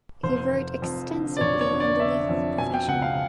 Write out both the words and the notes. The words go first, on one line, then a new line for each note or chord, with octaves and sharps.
He wrote extensively on the legal profession.
F1 C5
F1
F2
D3
D5
F1 C#5
C#5
D3
D5
D3 E5
F2
B2 G#5
G5
C#2 F#5
F5